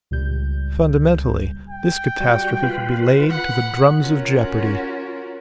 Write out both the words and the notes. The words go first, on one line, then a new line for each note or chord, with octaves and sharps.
Fundamentally, this catastrophe could be laid to the drums of jeopardy.
C#2 A#2 G3 G6
G5
G3 F#4
F4 B4
F#5 B5
C#4 F4 F#4 A#4